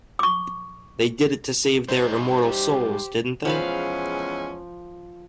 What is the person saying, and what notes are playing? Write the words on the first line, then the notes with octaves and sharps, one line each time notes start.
They did it to save their immortal souls, didn't they?
C#6 D6
G3 D#4 C5
G4
E2 F3 G#3 C#4 B4 F5